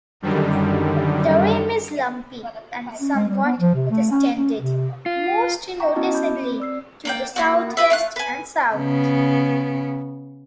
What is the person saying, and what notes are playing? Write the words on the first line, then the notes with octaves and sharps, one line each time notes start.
The rim is lumpy and somewhat distended, most noticeably to the southwest and south.
F#2 D3 D#3 G3
C#4
G#3
G3
B3
F3
C3
A3
C#4
C#4
C3
F4
F#5 G5 A#5 C#6 D6
B3 C#4 E4 F#4 D#5 A5
B5 D6 G6
C4
D5 E6 C7
A#3 D5 G5
A#3 C#4 F#4
G4 B4 E5
A3 F4 F#6
B4 G#5
C#3 B3